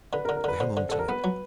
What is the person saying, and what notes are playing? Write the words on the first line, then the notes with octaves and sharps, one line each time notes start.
I hung on tight.
D3 B4
A#4
D3
A#4
D3 B4
D3 C5
D3
D3 A4
A#4
B3 B4
F#3